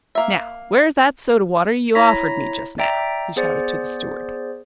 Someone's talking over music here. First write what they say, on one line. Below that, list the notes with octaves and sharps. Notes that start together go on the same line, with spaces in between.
"Now where's that soda water you offered me just now?" he shouted to the steward.
A#3 E5
E4 C#5 A#5 A#6 B6
D5 E5 G5 A#5
B3 G#4 C5 D5